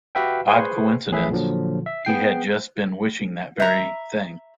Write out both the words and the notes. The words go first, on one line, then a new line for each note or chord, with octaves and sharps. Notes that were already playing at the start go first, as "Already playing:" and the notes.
Odd coincidence — he had just been wishing that very thing.
F#4 G4 B4 E5 F5 G5
G#4 B4 C5 G#5 C6 C#6
A1 A2 G#4 B4 E5
A#2 D3 F3 F#3
E5
B3 G#4 G5 C7
E5 A#5